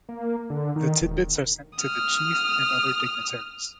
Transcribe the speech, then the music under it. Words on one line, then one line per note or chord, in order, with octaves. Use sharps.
The tidbits are sent to the chief and the other dignitaries.
A#3
D3
D#3
E1
D#6 F6